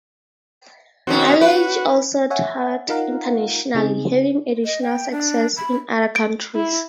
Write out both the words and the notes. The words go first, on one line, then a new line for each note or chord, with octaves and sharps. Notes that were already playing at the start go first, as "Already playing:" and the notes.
Alliage also toured internationally, having additional success in other countries.
B2 D#3 C4 C#4 F#4
F#4 B4
C#5 E5 F#5 G#5
D#4 F4 A#4 F5 F#5 A#5
C#3 C4 D#4 G#4
D#5
G5
D4
B5
D7
E4